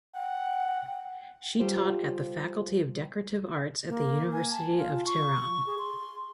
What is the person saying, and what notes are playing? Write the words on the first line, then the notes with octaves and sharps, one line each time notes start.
She taught at the Faculty of Decorative Arts at the University of Tehran.
F#5 G5
G3 F4 G4 A4 C5
A#3
G#5
A5
F4
C#6
G#4
C6